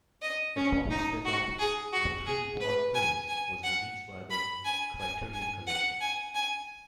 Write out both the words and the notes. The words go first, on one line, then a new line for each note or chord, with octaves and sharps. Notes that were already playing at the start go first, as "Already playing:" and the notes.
A box set of the Three War Films was released by The Criterion Collection.
D#5
C#4
D#4
F#4
G#4
F#4
G#4
B4
G#5
G#5
F#5
B5
G#5
G#5
G#5
F#5
G#5
G#5